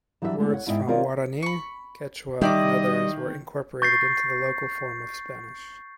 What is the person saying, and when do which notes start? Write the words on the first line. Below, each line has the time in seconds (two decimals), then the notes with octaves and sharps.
Words from Guarani, Quechua and others were incorporated into the local form of Spanish.
0.22 E3 F#3 G3 D4 E4 E5
0.38 G#3 A3 B3
0.51 C#5 F#5
0.67 G#2 E4 C#5 D#5 E5 G5
0.87 D#3 C4 C#4 F4 A#4 D5
1.42 B5 C#6
2.41 D#3 G3 E4 D5 D#5 D6
3.82 C#6 G6 A6 A#6 C7